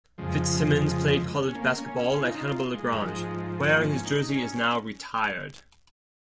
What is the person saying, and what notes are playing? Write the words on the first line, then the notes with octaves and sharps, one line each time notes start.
Fitzsimmons played college basketball at Hannibal-LaGrange, where his jersey is now retired.
F2 C#3 F3 G#3
C#4
A#3
C#4
C#4
F4
D#4
F4
G#3
G#2 F3
A#3
C#4
D#4
C#4